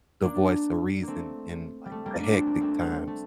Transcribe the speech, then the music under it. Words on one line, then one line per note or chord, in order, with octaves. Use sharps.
the voice of reason in, like, the hectic times."
A#3 D4
A3 A#3 C4
G3
A3
G3 A#3
D4
C4
A#3
A3 C4
A3